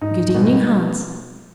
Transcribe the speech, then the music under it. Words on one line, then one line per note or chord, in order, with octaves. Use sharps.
'Good evening, Hans.
G#2 D#4
B2 G3